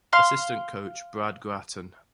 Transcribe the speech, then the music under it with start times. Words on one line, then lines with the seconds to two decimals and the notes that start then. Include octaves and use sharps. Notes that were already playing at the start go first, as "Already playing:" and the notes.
Assistant coach Brad Gratton.
0.13 F5 C6 F6